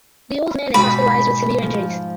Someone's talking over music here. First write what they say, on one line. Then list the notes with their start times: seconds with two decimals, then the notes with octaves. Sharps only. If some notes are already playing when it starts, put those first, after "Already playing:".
The old man is hospitalized with severe injuries.
0.74 G#2 B2 B5
1.62 F3